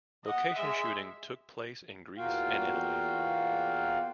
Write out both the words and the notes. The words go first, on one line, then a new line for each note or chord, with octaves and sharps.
Location shooting took place in Greece and Italy.
D#5 F#5
G#3 E5
E2 A#3 F4 F#4 F5 G5